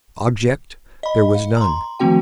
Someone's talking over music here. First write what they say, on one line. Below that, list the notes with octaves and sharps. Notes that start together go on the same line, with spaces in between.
Object there was none.
D#5 B5
F5
A#5 C6
D#3 F3 A3 C4 F#4 G5